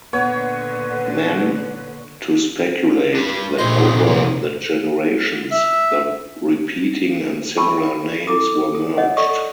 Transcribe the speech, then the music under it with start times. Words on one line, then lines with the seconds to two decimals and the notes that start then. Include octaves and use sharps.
Mann to speculate that over the generations the repeating and similar names were merged.
0.13 A#2 D3 B3 B4 C#5
3.15 D4 G4
3.59 A#1 A3 C5 D#5
3.77 A#2 D3 D#4
4.07 C3 F3 A#3
5.51 E5
7.57 G5 A5 B5 C#6 E6
7.78 G5
8.27 E4 A4 D6 D#6
8.75 D#6
8.97 C#5 D#5 F#5
9.17 A4 D5 D#5 C#6 D#6